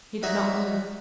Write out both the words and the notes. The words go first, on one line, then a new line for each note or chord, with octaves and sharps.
He did not move.
D#4 F#4 C#5 D5 E5